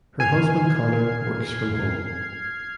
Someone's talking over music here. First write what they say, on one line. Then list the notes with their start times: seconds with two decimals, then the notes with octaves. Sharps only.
Her husband Conor works from home.
0.20 G#5 F6 G#6 C7